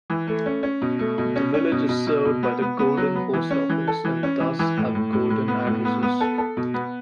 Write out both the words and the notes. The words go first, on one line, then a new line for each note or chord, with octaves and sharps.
The village is served by the Golden Post Office and thus have Golden addresses.
E3
A3
C#4
C#4
B2
A3
B2
C#4
C#4
B2
B2
B2
B2
B3
B3
B3
F#3
B3
E3
C#4
E3
A4
E3
C#4
E3
E3
A2
A2
A2
A2
B3
A2
B3
B3
A4
A4
B2
B3